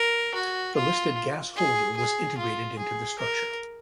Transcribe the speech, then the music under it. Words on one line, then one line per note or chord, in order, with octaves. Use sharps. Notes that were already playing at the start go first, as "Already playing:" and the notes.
A listed gas holder was integrated into the structure.
Already playing: A#4
F#4
F4
G#4
G#4
F4
G#4
A#4